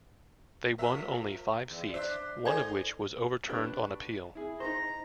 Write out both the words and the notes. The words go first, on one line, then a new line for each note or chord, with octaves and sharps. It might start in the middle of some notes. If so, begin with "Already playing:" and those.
They won only five seats, one of which was overturned on appeal.
F3 A#4 E5
E2
D4 C5 E5
D#4 A4 C5 D5 G#5
D4 G4 B4 C#5
E4 G#4
D#4 C5 A#5